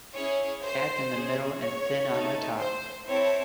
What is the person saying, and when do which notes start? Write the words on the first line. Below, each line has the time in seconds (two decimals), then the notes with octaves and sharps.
Fat in the middle and thin on the top.
0.15 C#4 E4 G#4 C#5
0.64 C5
1.13 C#4 G#4
1.61 C#5
2.10 A3 D#4 A4
2.59 C5
3.08 C4 E4 A4 C#5